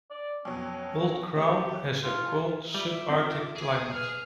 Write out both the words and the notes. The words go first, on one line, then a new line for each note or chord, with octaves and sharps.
Old Crow has a cold subarctic climate.
D5
F2 B2 F#3 C#4
A3 C#4 G4
G2 E3 F4
G3 F4 E5 D6
C4 D#4
G#4 G#5
B4 F6